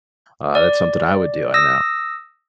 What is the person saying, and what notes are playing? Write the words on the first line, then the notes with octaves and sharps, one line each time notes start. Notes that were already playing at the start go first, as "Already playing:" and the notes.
Uh, that's something I would do, I know.
D5
D#6 E6 A#6